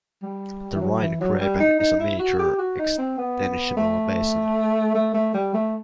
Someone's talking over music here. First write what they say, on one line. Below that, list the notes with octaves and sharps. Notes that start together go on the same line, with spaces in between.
The Rhine Graben is a major extensional basin.
G3
E3
F#3
E3
F#3
G3
D#4
D#4
E4
F#4
G4
F#4
D#4
C4
B3
A3
A3
A3
G3
A3